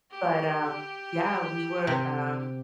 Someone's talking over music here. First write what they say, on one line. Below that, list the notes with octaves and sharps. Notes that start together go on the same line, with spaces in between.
But, um, yeah, we were um,
G4
C3